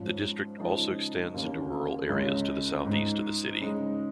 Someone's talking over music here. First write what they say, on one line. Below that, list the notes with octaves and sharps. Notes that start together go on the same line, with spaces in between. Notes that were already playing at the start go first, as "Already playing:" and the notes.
The district also extends into rural areas to the southeast of the city.
Already playing: G#2 F3 C#4
C#3 F3 G#3 D#4
D#2 C#3 A#3
C#2 C#3 G#3 C#4
G#2 G#3 D#4
C#3 G#3 D#4